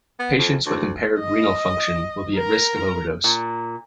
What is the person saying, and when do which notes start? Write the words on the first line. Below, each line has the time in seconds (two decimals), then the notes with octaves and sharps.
Patients with impaired renal function will be at risk of overdose.
0.19 B3
0.38 F2
0.66 D2
1.19 D#5
2.36 A#4 A#5
3.24 A#2